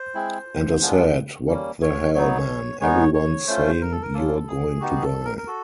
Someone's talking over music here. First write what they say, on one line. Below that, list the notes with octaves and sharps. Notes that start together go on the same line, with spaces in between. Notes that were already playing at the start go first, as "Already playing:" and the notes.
And I said, what the hell, man, everyone's saying you're going to die.
Already playing: C5
G#3 C4 E4
G#3 B3 D4 F4
G3 A#3 C#4
C#5
F#3 B3 D#4 C#5
G#3 B3 D#4 C#5
C#5
A3 C#4 F4 C5
A#4
A4
A#4
A#3 C#4 F4 A4
G#4
B3 D#4 F#4 G4
G#4
A4
A#4
A#4
F#4 A4